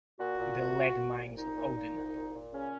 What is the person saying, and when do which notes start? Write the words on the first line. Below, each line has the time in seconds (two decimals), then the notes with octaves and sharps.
The lead mines of Odin.
0.19 A#2 F#4
0.39 A#2
0.58 A#2
0.77 A#2
0.97 A#2
1.16 C2
1.36 A#2 D#4
1.56 A#2
1.75 A#2
1.95 C2
2.14 A#2
2.33 A#2
2.53 C#3 C#4